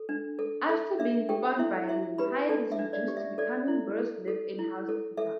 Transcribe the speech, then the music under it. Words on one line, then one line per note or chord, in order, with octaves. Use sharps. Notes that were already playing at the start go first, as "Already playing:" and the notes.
After being spurned by him, Hayes is reduced to becoming Burr's live-in housekeeper.
Already playing: A4
D4
A4
A4 E5
D4 E5
G4 A4 G5
E4 E5
E4 E5
G4 B4 B5
D4 A4 A5
E5
D4
D5
G4
E5
A4 D5
E4
A4
A4
E4
A4
A4 E5